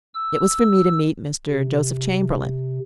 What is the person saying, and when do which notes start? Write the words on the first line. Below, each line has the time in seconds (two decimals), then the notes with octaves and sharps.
It was for me to meet Mr. Joseph Chamberlain.
0.14 E6
1.51 C3